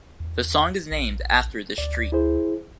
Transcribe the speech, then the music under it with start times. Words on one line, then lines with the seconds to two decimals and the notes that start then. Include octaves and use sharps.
The song is named after this street.
0.20 E2
0.91 A#1
1.78 D2 D5
2.12 E4 G#4 C5